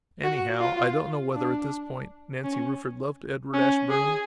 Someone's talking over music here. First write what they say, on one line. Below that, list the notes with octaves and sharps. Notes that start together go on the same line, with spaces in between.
Anyhow, I don't know whether, at this point, Nancy Rufford loved Edward Ashburnham.
F#4
F4
D4
C#4
C#4
G#4